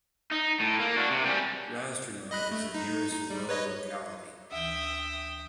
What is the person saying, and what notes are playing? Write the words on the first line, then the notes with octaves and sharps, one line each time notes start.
Razdrornoye is the nearest rural locality.
D#4
A2
A#3
D4 F#4
C3
G3 C#4
D#5 B5 F#6
A3
D#4
D#4
G3
B4 C#5 D#5
D2 E3 E5 G5 D#6